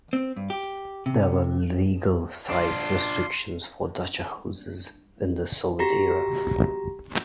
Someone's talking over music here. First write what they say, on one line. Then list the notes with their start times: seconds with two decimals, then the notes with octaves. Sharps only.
There were legal size restrictions for dacha houses in the Soviet era.
0.13 C4
0.37 G2
0.50 G4
1.06 C3
2.50 D4 F4 C6
5.79 F#4 G4 A#5 A#6